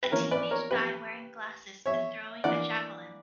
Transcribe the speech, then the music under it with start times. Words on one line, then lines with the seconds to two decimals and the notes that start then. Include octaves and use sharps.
A teenage guy wearing glasses is throwing a javelin.
0.03 B4
0.12 E3 A#3 C#4 A#4 C#5
0.31 B4 D5
0.51 A#4 C#5
0.71 G4 B4
1.86 C#5 E5
2.44 E3 A#3 D4 D5 F#5